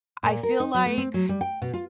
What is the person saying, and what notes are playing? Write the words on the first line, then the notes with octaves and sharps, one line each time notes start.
I feel like
A#2
A#4
D#4
F#3
A3
C4
F#3
G3
G5
B2
F4